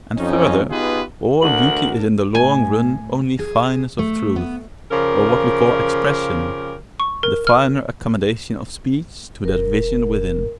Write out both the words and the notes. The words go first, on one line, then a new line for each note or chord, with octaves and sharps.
And further, all beauty is in the long run only fineness of truth, or what we call expression, the finer accommodation of speech to that vision within.
F2 C#4 D#4
B3 D#4 F4 G4 G#4 B4
D2 D4 A#4 F#5 F#7
A2 G#5
G#4
A3
B3
C#3 F3 G4 A#4
C#6
A#4
F6
E1 A#4